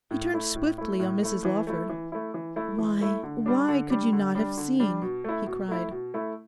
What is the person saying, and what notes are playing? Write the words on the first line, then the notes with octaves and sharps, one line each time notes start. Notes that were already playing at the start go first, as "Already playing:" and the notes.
He turned swiftly on Mrs Lawford. 'Why, why, could you not have seen?' he cried.
A2
A3 E4
A2
A3 E4
A2
A3 E4
E3
A3 E4
E3
A3 E4
E3
A3 E4
E3
A3 E4
D3
G3 D4
D3
G3 D4
D3
G3 D4
D3
G3 D4
B2
A3 E4
B2
A3 E4
B2
A3 E4